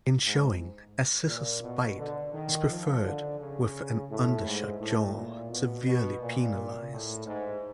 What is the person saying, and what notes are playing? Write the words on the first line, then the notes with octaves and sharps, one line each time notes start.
In showing, a scissors bite is preferred with an undershot jaw severely penalised.
G#2
A#2
B2
D3
D#3
F3
D3
C#3
A2
G#2
A2
A#2
B2
B2
A#2
A2
G#2